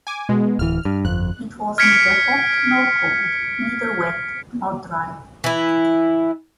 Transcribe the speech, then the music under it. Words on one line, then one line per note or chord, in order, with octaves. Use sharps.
It was neither hot nor cold, neither wet nor dry.
G#5 D6
B2 G#3
D1 E3 F6
G2
G1 F2 F#6
F6 G#6 B6 C#7 D7
E3 E4